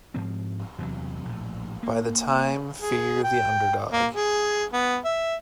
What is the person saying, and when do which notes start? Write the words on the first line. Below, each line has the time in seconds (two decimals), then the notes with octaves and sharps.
By the time fear the underdog.
0.14 G#2 F3 C4
0.78 E2 C3 F#3
1.25 A#1 A2
1.83 A#3
2.81 G#4
3.24 G5
3.92 A#3
4.14 G#4
4.73 B3
5.04 E5